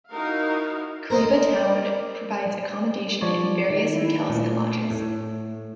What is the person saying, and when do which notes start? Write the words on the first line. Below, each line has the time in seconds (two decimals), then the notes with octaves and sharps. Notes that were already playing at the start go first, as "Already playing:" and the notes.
Kariba town provides accommodation in various hotels and lodges.
0.10 D#4 E4 F#4 A#4 F5
1.10 A#4 C5 D#5
3.21 F3 C#5 D5
3.70 D#3
3.92 E4
4.29 A#2 A3
4.91 A2